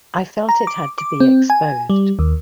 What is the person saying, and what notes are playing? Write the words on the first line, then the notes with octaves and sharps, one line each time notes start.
I felt it had to be exposed.
A#5
D6
D6
C4
G#5
G3
D#2